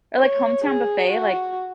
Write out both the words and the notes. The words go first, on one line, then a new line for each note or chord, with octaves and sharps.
Or, like, Hometown Buffet, like
C#5
G#4
F#4